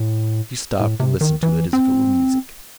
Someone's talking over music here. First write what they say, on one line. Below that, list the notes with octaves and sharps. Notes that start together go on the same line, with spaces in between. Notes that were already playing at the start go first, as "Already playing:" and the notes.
She stopped, and listened to it as if it were music.
Already playing: A2
A2
C3
D#3
E3
C4